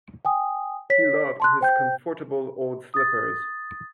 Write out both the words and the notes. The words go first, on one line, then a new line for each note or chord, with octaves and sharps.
He loved his comfortable old slippers.
G5 G#5 D#6
C#5 B6
A5 C6 F#6
C5 G5 G6
D#6 A6